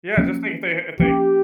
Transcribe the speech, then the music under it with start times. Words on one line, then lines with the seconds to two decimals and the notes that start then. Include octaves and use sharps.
Yeah, just think if they ha if they
0.17 F3 A#3 C#4
1.00 F3 A#3 C#4 G4